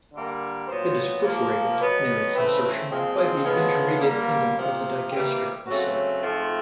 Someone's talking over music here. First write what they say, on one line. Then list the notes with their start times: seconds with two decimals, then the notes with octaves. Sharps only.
It is perforated, near its insertion, by the intermediate tendon of the digastric muscle.
0.13 D3 G3 A#3
0.68 A#2 F#3 B3 C5
1.23 A#2 F3 A#3
1.78 B2 F#3 B3 B4
2.34 C#3 E3 A3 C4 B4
2.89 A#2 F3 G#3 C4
3.44 A2 F3 G#3 B3 A4
4.00 D3 G3 A#3
4.57 C3 F3 A#3
5.12 C3 E3 G3 A#3 G4
5.67 C#3 F#3 A3 C4 F#4
6.22 G#2 F3 A3 C4 F4